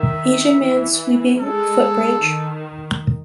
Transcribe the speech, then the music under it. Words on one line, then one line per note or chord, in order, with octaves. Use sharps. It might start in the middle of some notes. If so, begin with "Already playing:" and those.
Asian man sweeping footbridge.
Already playing: D#3 E5
E3
G#3 A4
D#3